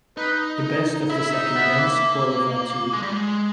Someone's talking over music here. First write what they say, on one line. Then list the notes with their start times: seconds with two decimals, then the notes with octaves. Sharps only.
The best of the second dance qualify too.
0.17 D#4 B4
0.63 D#5
1.10 E4 E5
1.32 D#4
1.56 B3
1.78 A#3
2.93 G#3
3.02 G3
3.12 G#3